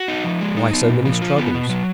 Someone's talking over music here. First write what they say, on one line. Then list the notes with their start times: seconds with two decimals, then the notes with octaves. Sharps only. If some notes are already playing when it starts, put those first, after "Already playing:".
Why so many struggles?
Already playing: F#4
0.08 D#4
0.24 F3
0.41 G#3
0.57 D#4
0.73 B3
0.90 A#2
1.05 F3
1.22 F4
1.38 B3
1.54 B2
1.70 F#3